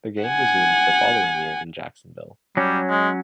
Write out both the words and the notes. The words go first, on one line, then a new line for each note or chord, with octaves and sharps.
The game resumed the following year in Jacksonville.
F#5 G#5
F#3 G3 C#4
G#3